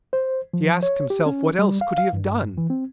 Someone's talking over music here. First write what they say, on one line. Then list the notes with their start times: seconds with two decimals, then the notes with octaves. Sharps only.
He asked himself what else could he have done.
0.13 C5
0.54 F3
0.83 C#5
1.10 G4
1.26 C#4
1.59 G3
1.81 F5
1.98 F5
2.13 G2
2.58 E3
2.70 C4